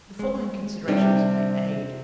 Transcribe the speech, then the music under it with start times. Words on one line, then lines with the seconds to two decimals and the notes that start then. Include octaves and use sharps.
The following considerations may aid.
0.19 G#3
0.88 C3 G3 D4 E4 D5 G5